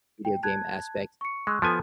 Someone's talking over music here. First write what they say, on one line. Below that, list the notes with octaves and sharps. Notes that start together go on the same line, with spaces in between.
video game aspect,
G5
A5 F#6 G#6
C#6 C#7
G#3 C#6 E6 F#6
F3 B3 A4 G#5 A5